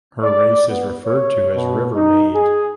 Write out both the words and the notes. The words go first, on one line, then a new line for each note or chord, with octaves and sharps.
Her race is referred to as "River-maid".
D5
B3
C#5
B2
D#4
G#4